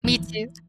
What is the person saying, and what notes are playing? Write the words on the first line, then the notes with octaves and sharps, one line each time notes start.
Me too.
E3